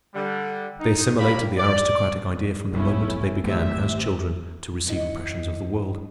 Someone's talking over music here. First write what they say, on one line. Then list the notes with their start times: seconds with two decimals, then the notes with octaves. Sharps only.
They assimilated the aristocratic idea from the moment they began, as children, to receive impressions of the world.
0.14 D3 G3
0.80 D#4
1.19 G2 A#3 A#4 B5
1.57 D5
2.72 F1 B1 C3 A3 C#4 E4
3.44 G#1 A3 C4 G4 E5
4.86 D#2 D#3 E4 A4 D#5 F#5